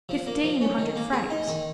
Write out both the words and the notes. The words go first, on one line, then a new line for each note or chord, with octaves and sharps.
Fifteen hundred francs!
F3
A#3
F3
C#4
D#3
A#3
G#4
D#4
D#3